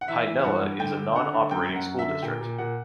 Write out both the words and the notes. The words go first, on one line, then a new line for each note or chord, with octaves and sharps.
Hi-Nella is a non-operating school district.
F#5
E3 E5
E3
G2 F#5
G2
D3 G5
D3
D3 F#5
D3
F#2 G5
F#2
F#5
F#2
E5
D3
A#2 G5
A#2
A#2 F#5